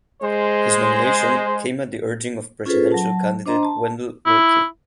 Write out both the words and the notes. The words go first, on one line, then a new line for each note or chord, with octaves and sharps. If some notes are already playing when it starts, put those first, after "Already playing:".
His nomination came at the urging of presidential candidate Wendell Willkie.
G#3 C5
C#4 F4 G#4 A4 B4 C5
F#3 A5
D4 C5 D#5 A#5 C6
A5
E4